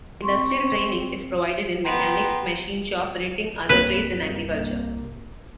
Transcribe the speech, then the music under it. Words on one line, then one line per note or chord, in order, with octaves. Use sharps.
Industrial training is provided in mechanics, machine shop, printing, other trades, and agriculture.
C4 C6 C#6
B3 G5 A#5 C6
C2 G2 A#3 B4